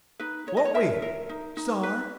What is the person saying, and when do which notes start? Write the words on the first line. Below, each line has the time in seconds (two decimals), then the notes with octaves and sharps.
Won't we--Star?
0.20 D#4 B4
0.47 D#4 C#5
0.57 D#5
0.65 C#5
0.74 A#4 E5
1.02 A#4
1.29 D#4
1.57 D#4
1.83 B4